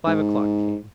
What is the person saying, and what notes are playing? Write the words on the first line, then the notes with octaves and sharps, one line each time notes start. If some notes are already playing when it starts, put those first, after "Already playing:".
Five o'clock came.
G#2